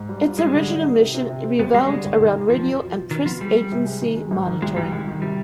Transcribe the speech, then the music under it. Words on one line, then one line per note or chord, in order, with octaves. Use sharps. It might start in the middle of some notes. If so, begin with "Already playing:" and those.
Its original mission revolved around radio and press agency monitoring.
Already playing: G#2
G3
F4
G3 G#3
D3
D#4
D#4
C3
C3
C3
C4
D#2 B3
G3 G#3
D3 G#3
D#2
D#3
D#3
F2 F3
F2
B2
B2
B2 D#3
F3 B3
G3 G#3
G#3
C3
G#3
D#3
G#3
G#2
D#3
C2 G#3
C2 G3
D#3 G#3
D#3
C3 G3